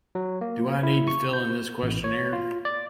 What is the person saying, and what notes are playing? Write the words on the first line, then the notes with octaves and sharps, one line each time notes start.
Do I need to fill in this questionnaire?
F#3
A#3
E4
C#6
G6
A1
C#5
F4
D5